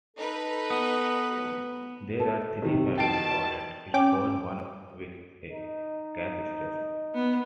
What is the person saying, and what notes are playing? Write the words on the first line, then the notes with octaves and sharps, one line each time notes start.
There are three family owned stores, one with a gas station.
D#4 A4 B4
B3
A4
C3 D#3
B2 D#3 G5 A5 C7 D7
C#4 G5 D6
D#4
B3